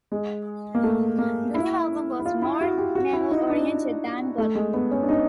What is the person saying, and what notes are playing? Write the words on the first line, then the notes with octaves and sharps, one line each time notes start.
The new album was more metal oriented than "Golem".
G#3
A#3
A3
A#3
E4
E4
F4
E4
F#4
G4
F#4
E4
D#4
D4
A3
G#3
B3
C#4
D4
D#4